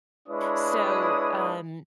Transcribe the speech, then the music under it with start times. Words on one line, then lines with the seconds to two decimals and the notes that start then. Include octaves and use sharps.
So, um,
0.28 G#3 D4 E4 B4 C#5 D#6